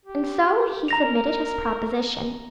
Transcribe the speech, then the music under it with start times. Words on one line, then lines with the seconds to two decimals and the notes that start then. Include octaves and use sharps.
And so he submitted his proposition.
0.05 G4
0.88 A#5 A#6 F7
1.04 A#4